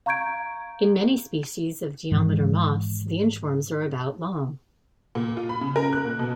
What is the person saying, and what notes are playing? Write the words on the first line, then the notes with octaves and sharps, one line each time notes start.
In many species of geometer moths, the inchworms are about long.
F5 A#5 C#6 G6 G#6 D7
G#2 D#3 E3 G#3
A#2
F4
B5
C#3
A#4
F#6
A#2
B2